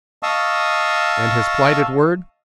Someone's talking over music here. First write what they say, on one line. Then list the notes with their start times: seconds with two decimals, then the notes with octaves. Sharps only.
And his plighted word?
0.23 D#5 F5 A5 C#6 D#6 E6